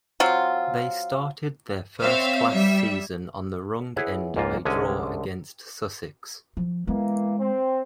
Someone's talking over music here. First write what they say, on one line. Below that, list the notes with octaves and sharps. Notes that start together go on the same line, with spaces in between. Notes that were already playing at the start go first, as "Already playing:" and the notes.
They started their first-class season on the wrong end of a draw against Sussex.
F#3 C4 F4
C4 C5 C#5 E5 F5
G3 E5
E4 G#4 B4 C#5 F#5
C#2 G#2 A#3 F4
C2 D3 G#3 C#4 G#5
F3
E3 G#3 A#3 B3
C4